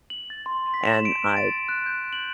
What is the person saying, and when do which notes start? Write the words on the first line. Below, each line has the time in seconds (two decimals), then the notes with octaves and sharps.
and I
0.10 F#7
0.30 A6
0.46 C6
0.74 B6
0.86 E7
1.05 D7
1.37 A6
1.69 F#6
1.86 G6
2.13 F#7